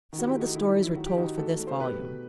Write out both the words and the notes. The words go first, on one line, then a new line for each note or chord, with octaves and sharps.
Some of the stories were told for this volume.
D#3
F#4
E4 G4
A3
D#4 F#4
D#3 E4
E4
F#3
E4
D#3 F#4
G4
D#3 D#4 F#4
A3 F#4 A4
A3
C5
B2 G4 B4
B2